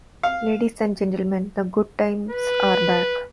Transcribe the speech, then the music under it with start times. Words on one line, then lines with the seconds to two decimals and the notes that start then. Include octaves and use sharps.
Ladies and gentlemen, the good times are back!
0.23 F5
2.30 B4